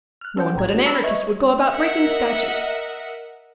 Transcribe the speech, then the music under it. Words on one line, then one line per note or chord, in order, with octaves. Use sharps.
No one but an anarchist would go about breaking statues.
F6 F#6
C#4 A4 B4 C5 F#5 G5
A#1 A2 A#5 G#6
G#3 C#4 F#4
A#5 B5 E6 A#6
B4 C#5 D#5 E5 C#6 G#6
A#4 D#5 E5 F#5